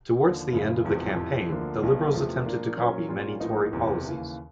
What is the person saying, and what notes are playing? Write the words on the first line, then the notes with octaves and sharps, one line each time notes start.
Towards the end of the campaign, the Liberals attempted to copy many Tory policies.
D#2 D3 F3
F#1 F#2 C#3
E1 E2 C3 F3
F2 C3 E3
D2 D3 F3 A#3
B1 B2 G3
E2 C3 F3 A3
A#2 F3 A#3 D4
A#2 F#3 A#3 C#4
A#2 G3 A#3 C#4 F4
A1 A2 F3 A#3 D#4
F#1 E2 C3
D#2 C#3 E3